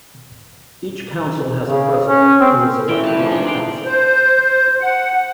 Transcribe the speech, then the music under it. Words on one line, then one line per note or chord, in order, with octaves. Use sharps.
Each council has a president, who is elected by the council.
C#3
C#4
C4
E3 A3 C#4 G5
G3 B4 A5
C3 F3
G#3 D4 D#4 F4
D5 F5 G5
C5
F#5